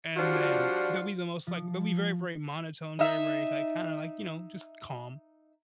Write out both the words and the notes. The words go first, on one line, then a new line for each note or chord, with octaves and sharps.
and then they'll be the most like they'll be very, very monotone, very, very, like, kinda like, you know, just calm.
F3 G3 D4 F4 F#4
F3
D#4 E5